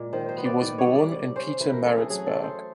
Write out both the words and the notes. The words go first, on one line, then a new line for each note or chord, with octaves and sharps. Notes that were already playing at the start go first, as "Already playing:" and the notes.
He was born in Pietermaritzburg.
Already playing: A#2 G#3
D#3 C5
C5
B3
D5
D#3 D5
C#5
G3
D5
C3 D5
C#4 C5
E3 B4
A#4
A3 A4
G#4
F#3 G#4
A4
A3
C5